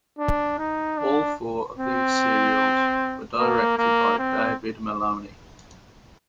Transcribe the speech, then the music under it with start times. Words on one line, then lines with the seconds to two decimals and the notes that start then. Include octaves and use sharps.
All four of these serials were directed by David Maloney.
0.19 D4
0.59 D#4
0.98 D4
1.78 C4
3.39 A#3
3.78 A#3
4.18 C4